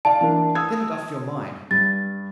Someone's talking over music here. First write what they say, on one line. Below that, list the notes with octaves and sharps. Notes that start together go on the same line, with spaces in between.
Get it off your mind.
D5 F5 A5
E3 A#3 D4
D#6 E6 G#6
G2 A6